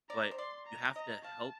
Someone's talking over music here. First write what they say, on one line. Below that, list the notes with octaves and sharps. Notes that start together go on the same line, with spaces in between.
but you have to help
D5 A#5
C5
D5 C6
A#5
D#5 A#5
F5 A5